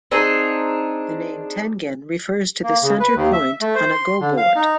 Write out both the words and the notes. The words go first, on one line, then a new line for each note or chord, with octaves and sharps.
The name Tengen refers to the center point on a Go board.
C4 D4 D#4 G#4
A#3
C#3
B4
D#2
E5
A3
C5
C6
D3
F5
D#4